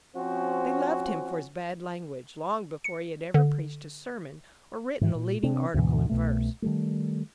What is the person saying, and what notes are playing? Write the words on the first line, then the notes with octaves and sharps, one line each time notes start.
They loved him for his bad language long before he had ever preached a sermon or written a leading article in verse.
F3 C4 C#4 F#4
C#7
D3
G#2 D#3 E3
A#2
C3 C4 D4
D2 G#2 B2 E3
C2 B2 A3
D#3 G3 A3